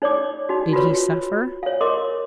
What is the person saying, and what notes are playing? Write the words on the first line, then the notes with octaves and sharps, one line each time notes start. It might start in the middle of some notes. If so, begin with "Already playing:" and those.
Did he suffer?
D#4 C#5 D5 D6
D#4 F#4
F4 F#4 B4 C#5
C#5 F5
A#4 D#5 C6 D6